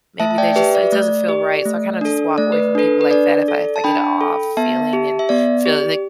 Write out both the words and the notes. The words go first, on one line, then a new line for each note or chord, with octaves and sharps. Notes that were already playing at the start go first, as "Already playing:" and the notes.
maybe they just it doesn't feel right, so I kinda just walk away from people like that if I if I get a off feeling and feel like,
A3 E5 A5
A5
D5 G5
G4 B4 E5
D5
A3 D5
G4
A3
D4 A4
A3 D5
B4
D4 A4 B4
B4
D4 D5
A4
A5
D4 G5 B5
A4
B3 E5 A5
G4
E5
B3 D5
G4